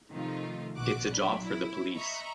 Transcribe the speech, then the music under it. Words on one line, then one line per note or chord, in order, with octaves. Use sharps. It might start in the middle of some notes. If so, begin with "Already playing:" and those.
It's a job for the police!
C3 D#3 F3 A3 D#4 F4
A#1 B2 F#4 D6 F#6
F#3 D4 B5
E4
D#5 E5 A#5 B5 C#6